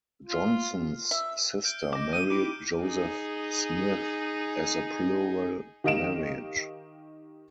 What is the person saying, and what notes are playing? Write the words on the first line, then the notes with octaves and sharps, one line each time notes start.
Johnson's sister married Joseph Smith as a plural marriage.
F4
E5
F6 G6 D7
D#5 D6 E7
D#6 D#7
D#4 E4 G4 D6 G6
D#4 G#4
D#3 G4 D#5 F5 D7 E7